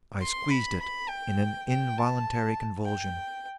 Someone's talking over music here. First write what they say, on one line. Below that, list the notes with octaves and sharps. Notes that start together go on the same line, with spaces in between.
I squeezed it in an involuntary convulsion.
C6
B5
B5
G5
G5
A5
G5